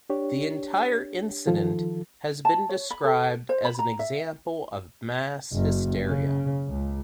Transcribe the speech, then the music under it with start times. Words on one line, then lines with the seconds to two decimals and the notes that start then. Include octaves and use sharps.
The entire incident has been described as an example of mass hysteria.
0.10 D4 G4 C#5
1.47 D#3 F3 F4 A4
2.45 A5
2.69 C#5
2.91 B5
3.04 A4
3.49 C5
3.65 B5
3.79 A#5
3.99 E5
5.53 F#1
6.05 C#3
6.69 C#2